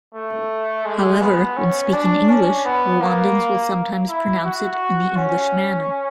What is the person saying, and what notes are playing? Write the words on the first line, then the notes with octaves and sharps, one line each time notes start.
However, when speaking English, Rwandans will sometimes pronounce it in the English manner.
A3
G#3
B3
C#4
D4
C#4
B3
A#3
E4
F#4
C#4